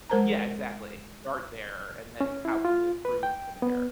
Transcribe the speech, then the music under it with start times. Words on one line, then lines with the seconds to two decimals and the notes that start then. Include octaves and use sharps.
Yeah, exactly. Start there, and then how can we improve from there.
0.10 G#3 A#4 C5 A5 A#5
2.21 C#4
2.45 E4
2.65 F4
3.05 B4
3.23 G5
3.62 B3